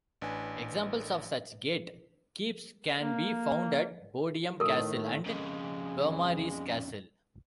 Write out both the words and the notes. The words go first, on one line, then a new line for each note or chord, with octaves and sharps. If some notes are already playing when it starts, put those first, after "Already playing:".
Examples of such gate keeps can be found at Bodiam Castle and Beaumaris Castle.
A1 D4 B4 G#5
A#3
A2 D#3 A3 A4 A#4
F2 C#3 G#3